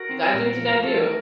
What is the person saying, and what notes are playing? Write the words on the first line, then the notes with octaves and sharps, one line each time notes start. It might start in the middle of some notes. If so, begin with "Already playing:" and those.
You gotta do what you gotta do.
Already playing: F#4 A#4
C4
A#2
F3
A3 F4 A4
C5
F#4 A#4